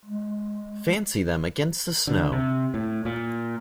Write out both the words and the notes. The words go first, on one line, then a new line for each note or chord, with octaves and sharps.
Fancy them against the snow!
G#3
D3
C3
A2
A#2